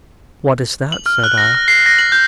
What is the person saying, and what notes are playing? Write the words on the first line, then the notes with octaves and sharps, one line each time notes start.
'What is that?' said I.
F#7
F6
F#6
A#6
F6
C7
A#6
F#7
G6